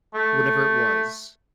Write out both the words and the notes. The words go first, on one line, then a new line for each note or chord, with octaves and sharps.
whatever it was
A3